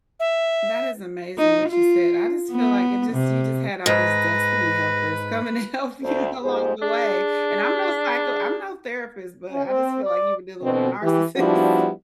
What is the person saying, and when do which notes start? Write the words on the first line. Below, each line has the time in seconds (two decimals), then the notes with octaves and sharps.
That is amazing what you said, I just feel like it just you just had all these destiny helpers coming to help you along the way and I'm no psycho I'm no therapist, but I just feel like you were dealing with a narcissist,
0.20 E5
1.38 D#4
1.68 F4
2.51 B3
3.12 C3
3.86 G#2 B4 A#6
6.02 D2 C5
6.42 F2 G#2 G4 G#4 C5
6.82 D4 G#4
9.51 C#4
9.65 C4
10.04 D5
10.63 B2 D3 C4
11.03 E3 G4
11.37 F3 G3 B3 D4 E4 F#4